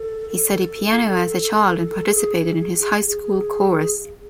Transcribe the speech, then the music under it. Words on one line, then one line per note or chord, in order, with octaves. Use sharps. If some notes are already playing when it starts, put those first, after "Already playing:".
He studied piano as a child and participated in his high school chorus.
Already playing: A4
A4
G#4
G#4